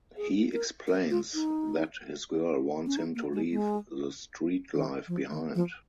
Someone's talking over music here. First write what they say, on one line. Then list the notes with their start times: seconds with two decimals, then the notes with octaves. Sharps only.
He explains that his girl wants him to leave the street life behind.
0.17 G#4
0.53 A#4
0.87 A#4
1.10 F4
1.34 D#4
2.86 C#4
2.97 D#4
3.15 A#3
3.33 G#3
3.51 G#3
4.73 D#3
5.08 F3
5.31 D#3
5.55 F3